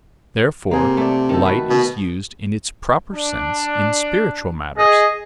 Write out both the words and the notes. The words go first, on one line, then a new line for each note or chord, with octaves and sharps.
Therefore light is used in its proper sense in spiritual matters.
C3 A#3 G#4
A3 D5
D#3 A4
F#4 B4
B2
D4
G#4 D#5